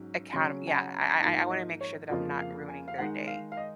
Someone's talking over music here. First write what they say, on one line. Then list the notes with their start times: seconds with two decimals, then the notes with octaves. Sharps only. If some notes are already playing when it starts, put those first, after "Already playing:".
account Yeah, I I I I wanna make sure that I'm not ruining their day.
Already playing: G#2 F#3 C#4
0.33 C#3 F#3 C#4 C6
0.67 G#5
0.77 F#5
1.21 G#2 F3 A#3 D#4 F5
1.51 D#5
1.81 C#5
2.10 F2 C#3 F3 A#3 F4 D#5
2.39 F5
2.69 G#5
2.88 F5
2.98 D#3 G#3 D#4 F#5
3.27 F5
3.52 F5
3.57 D#5